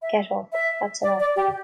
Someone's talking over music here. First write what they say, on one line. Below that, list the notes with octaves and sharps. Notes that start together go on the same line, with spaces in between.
Get up — that's enough.
E5
E5
D5
D5
G4